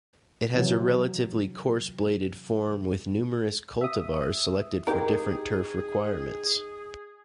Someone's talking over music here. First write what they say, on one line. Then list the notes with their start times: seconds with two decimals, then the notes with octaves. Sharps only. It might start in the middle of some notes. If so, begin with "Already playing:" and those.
It has a relatively coarse-bladed form with numerous cultivars selected for different turf requirements.
0.55 C3 E3 F#3
3.81 E5 D#6
4.87 D#4 G4 G#4 A#4 G5